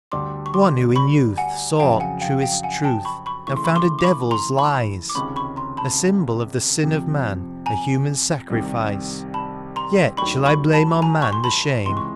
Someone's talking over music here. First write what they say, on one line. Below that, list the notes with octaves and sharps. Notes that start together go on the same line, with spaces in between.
One who in youth sought truest truth, and found a devil's lies; A symbol of the sin of man, a human sacrifice: Yet shall I blame on man the shame?
D2 D3 G3 C6 D6
C#6
C6 D6
B5 C#6
F#5 G#5
F2 C#3 F#3 F5 G5
F#5 G#5
F5 G5
F5 G5
F#5 G#5
G5 A5
B5 C#6
B5 C#6
C#3 E3 A3 C#6
C6
B5 C#6
C6 D6
D6
B5 C#6
A#5 C6
B5 C#6
D6
C#2 C3 D#3 G#3 C#4 B5 C#6
B5 C#6
A#5 C6
A5 B5
F2 C3 F3
G#5 A#5
C2 C3 D#3 G3
A5 B5
A#5 C6
D#2 D#3 F#3 A3 D4 B5 C#6
B5 C#6
A5 B5
G#5 A#5
C#6
C6
A5 B5
C#2 C3 E3 G#3 C6
C#6